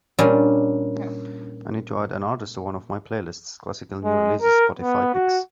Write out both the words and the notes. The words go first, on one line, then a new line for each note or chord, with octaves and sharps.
I need to add an artist to one of my playlists, Classical New Releases Spotify Picks.
A#2 G3 C#4 D4 F4
G#3
A#4
B3
F#4